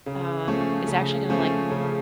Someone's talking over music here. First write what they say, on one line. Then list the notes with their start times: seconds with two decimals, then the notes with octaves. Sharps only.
um, is actually gonna, like
0.06 C#3
0.48 F3 A3 C#4
0.88 C#3
1.29 F3 A3 C#4
1.71 C#3